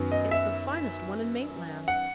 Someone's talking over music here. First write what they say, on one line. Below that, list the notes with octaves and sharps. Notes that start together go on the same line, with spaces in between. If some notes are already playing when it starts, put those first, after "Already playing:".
It's the finest one in Maitland.
Already playing: F#2 D#3 F#3 B3
D#5
E5
F#5